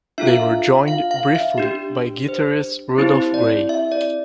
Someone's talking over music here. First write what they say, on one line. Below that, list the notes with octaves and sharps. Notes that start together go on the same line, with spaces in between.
They were joined briefly by guitarist Rudolph Grey.
D4 F4 A4 E5
F5
E5
F5
F5
E5
D4 G4
C5
C4 E4 G4 C5
D5
E5
D5